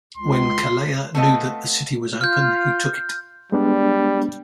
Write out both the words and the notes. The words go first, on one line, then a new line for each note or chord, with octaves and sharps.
When Calleja knew that the city was open he took it.
C#2 C6
A3 B3 C4 F4 D#5
F4 F6 G6
G3 G#3 B3 D4